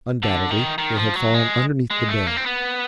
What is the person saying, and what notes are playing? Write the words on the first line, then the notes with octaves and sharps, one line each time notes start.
Undoubtedly it had fallen underneath the bear.
D3
D#3
D#3
F3
F#3
G#3
G#3
A3
A#3
C4
B3